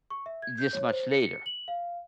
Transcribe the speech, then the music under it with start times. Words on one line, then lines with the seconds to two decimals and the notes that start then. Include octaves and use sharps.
this much later.
0.10 C#6
0.26 E5
0.42 G#6
0.58 G6
0.73 C#5
0.90 C5
1.11 C#7
1.46 F#7
1.68 F5